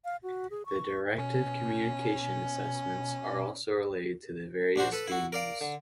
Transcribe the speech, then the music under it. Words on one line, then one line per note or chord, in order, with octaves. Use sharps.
The Directive Communication assessments are also related to the various games.
F5
F#4
G#4
C#6
B2 C#4
A#1 D4 F#4 C5
A4 B4
E4 F#4
A#4 D5 F5
D3